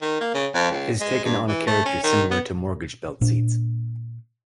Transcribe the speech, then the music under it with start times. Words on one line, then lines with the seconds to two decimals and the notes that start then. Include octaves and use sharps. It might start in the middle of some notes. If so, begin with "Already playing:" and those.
It has taken on a character similar to mortgage belt seats.
0.02 D#3
0.21 A#3
0.34 C#3
0.54 F2
0.71 C#2
1.01 G#3
1.24 G2
1.47 E3
1.67 A3
1.85 C#4
2.03 D#3
2.31 B3
3.21 A#2 D4